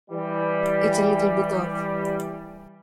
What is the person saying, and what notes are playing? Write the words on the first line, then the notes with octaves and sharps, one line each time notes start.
It's a little bit off.
E3 G3